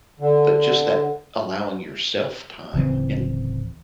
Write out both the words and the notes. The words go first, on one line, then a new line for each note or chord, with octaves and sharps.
but, just that allowing yourself time, and
D3
D1 C#3 E3 C4